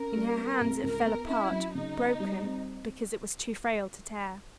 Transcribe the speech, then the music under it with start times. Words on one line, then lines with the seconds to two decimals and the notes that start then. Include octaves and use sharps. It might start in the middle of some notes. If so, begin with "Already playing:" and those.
In her hands it fell apart, broken, because it was too frail to tear.
Already playing: C#4 A#4
0.16 G3
0.38 B3
0.61 C2
0.83 C#2 A#4
1.06 B3
1.29 C#4 E4
1.51 F#3
1.75 C#3 D#4
1.97 B3
2.20 G3
2.43 C4